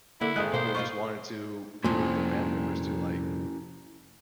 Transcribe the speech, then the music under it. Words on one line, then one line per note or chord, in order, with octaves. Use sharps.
people just wanted to be with their family members to, like
D3 A#3 E4
G#1 G#3 D#4 G#4 F#6
B2 A#3 C5
A#3 D#4 F4 C#6
C2 F2 A#2 C#4 E4 G#5